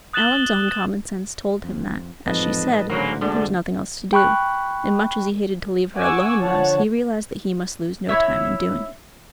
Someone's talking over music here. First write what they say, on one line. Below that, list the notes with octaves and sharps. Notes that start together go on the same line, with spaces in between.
Alan's own common sense told him that, as she said, there was nothing else to do and, much as he hated to leave her alone thus, he realized that he must lose no time in doing it.
D#6 F#6 A6 E7 F#7 G7
F2
A1 F2 G#2 B4 D#5 A5
D2 C#3 F#3 A#3 A#4 C5 F#5
F1 D3 G#3 A#3 G#4 D5 A5
G5 B5 C#6 F#6
F#5 G#5 C#6 D6 E6
D3 F3 C#5 F#5 A5
E4 C#5 E5